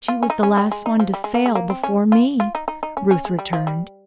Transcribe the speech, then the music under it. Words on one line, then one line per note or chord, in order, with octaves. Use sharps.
"She was the last one to fail before me," Ruth returned.
F4
C#4
D#4
C#4
G3
G#3
D#4
F3
G3
G#3
A#3
G#3
A#3
C4
C#4
F4
F4
D#4
D#4
D#4
C#4
C#4
G#3
G3
F3
G3